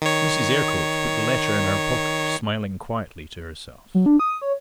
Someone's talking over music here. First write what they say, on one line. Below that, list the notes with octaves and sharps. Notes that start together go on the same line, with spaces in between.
Mrs. Eyrecourt put the letter in her pocket smiling quietly to herself.
D#3 C#5
F#3
D4
D#6
C#5